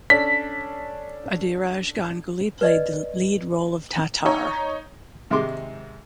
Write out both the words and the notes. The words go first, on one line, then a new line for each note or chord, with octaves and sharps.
Adhiraj Ganguly played the lead role of Tatar.
C#4 D4 A4 B6
B4 D5 D#5
D#4 C#5
G#2 C3 D#3 G#3 C6 D6